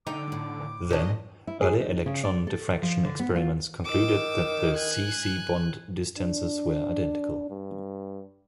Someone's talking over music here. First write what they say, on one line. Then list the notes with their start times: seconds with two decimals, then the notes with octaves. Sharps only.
Then, early electron diffraction experiments concluded that the C-C bond distances were identical.
0.07 D3 D#4 G5 D6
0.32 A2
0.90 A#2 C#4 D4 D#5
1.47 E4
1.61 G#4
1.81 D#4
2.06 C#3
2.24 D5
2.47 A4
2.82 F3
3.05 D3
3.20 B3
3.36 F4
3.85 D#3 D6 E6
4.77 G#5 F#6
6.18 D4
7.50 G2